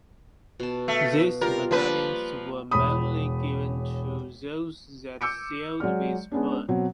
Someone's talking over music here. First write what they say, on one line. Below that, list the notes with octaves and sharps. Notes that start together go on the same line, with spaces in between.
These medallions were mainly given to those that sailed with Bern.
B2 A5
A3 F5
G3 F4 G4 A#4
F3 G3 A#3 B4
E1 C#5 B5 D#6
D6 E6 G6 C#7 D7
F#3 G#3 D5 F6
G#3 B3 C#4 D4
B2 F#3 C4